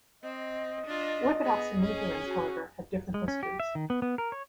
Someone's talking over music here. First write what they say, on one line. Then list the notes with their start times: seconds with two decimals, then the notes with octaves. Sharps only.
Orthodox and Lutherans, however, have different histories.
0.23 C4 D#5
0.86 D4 F4
1.43 B3 G#4
1.81 C#4 G#4
2.26 F#4
3.14 G#3
3.28 C#4
3.43 G4
3.60 E5
3.75 D#3
3.90 B3
4.02 B3
4.18 A#4
4.32 C#5